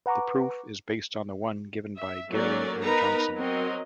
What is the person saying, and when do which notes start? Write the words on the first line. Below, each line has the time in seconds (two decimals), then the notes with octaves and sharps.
This proof is based on the one given by Garey and Johnson.
0.06 B4 F#5 A#5 C#6 D6
1.97 E5
2.30 F#3 A#3 C#4 A4 A#4 D5
2.81 B3 D#4 A#4 B4 A#5 B5
3.37 F#3 C4 A#4 D#5